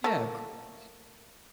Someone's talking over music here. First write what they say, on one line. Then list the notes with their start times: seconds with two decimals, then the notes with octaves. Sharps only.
Yeah, of course.
0.04 A3 A#3